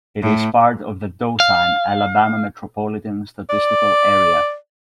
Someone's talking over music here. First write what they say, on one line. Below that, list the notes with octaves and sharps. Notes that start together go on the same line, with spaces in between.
It is part of the Dothan, Alabama Metropolitan Statistical Area.
A2
F5
D5